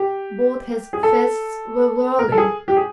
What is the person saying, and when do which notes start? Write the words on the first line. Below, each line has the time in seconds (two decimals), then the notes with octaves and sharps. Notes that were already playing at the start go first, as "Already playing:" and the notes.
Both his fists were whirling.
Already playing: G4
0.93 G#4
1.03 A4
2.19 A#4
2.32 A4
2.38 G#4
2.68 G4
2.77 G#4